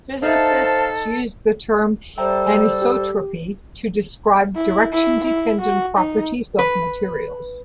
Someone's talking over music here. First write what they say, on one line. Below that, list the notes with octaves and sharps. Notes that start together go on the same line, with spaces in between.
Physicists use the term anisotropy to describe direction-dependent properties of materials.
D#4 A4 C5 E5 F5 A5
G3 A4 C5 E5 G5 A#5
G4
E4
E4
E4
F#4
D#4
B4